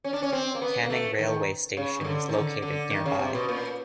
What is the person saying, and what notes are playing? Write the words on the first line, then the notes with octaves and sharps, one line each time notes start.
Canning railway station is located nearby.
C#4
D4
C#4
C4
A#3
B3
A#3
A3
D#3
C#3
D#3
D3
D#3
D3
D3
D#3
C#3
C3
B2
A#2